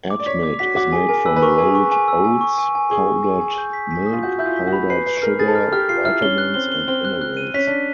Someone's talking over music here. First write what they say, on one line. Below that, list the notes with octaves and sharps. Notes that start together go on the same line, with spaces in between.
Atmit is made from rolled oats, powdered milk, powdered sugar, vitamins, and minerals.
D6
D5
C#5 B6
D6
F#4 B6
F#4 D6
G#4 G#5
A#4 G#5
B4 E6
B4
A#4 C#6
G#4 G#5
C#6
G#5
E6
G#5
C#6
G#5
G#5
G#4 C#6
C#6
G#5
G#5
G6
B6
B6
D#6
F4
F#4 G6
E4 G6
F4
B6
F#4
B5
B4 C7
B4 C7
B4
A#4 F6
G#4 A6
A4
G#4 F6
G4 F6
F4 C7
E4 F6
C#4 G7
F#6
C4 G7
G7
C4 G7
F#6
F#6
D#7
C#4 B6
D4 B6